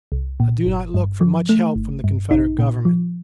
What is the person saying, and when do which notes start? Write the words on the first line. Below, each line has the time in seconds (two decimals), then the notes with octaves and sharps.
I do not look for much help from the Confederate Government.
0.12 C2
0.40 A#2
0.66 G1
0.94 G2
1.21 F3
1.49 A3
1.76 G1
2.04 G2
2.31 A#1 D#4
2.59 A#2
2.85 F3